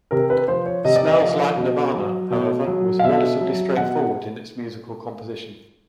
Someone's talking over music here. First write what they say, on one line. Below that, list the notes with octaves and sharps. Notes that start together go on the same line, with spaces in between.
"Smells Like Nirvana", however, was relatively straightforward in its musical composition.
C3 A#4
B4
F3 C5
C#5
C3 D#5
D5
D#5
F3
B2
F#3
B2
F#3
F5
B2 E5
F#3
B2 F#5